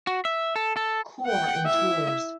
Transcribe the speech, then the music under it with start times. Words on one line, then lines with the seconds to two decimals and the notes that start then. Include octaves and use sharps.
Corps in Tours.
0.07 F#4
0.25 E5
0.56 A4
0.77 A4
1.25 F#5 G5
1.66 E4 E5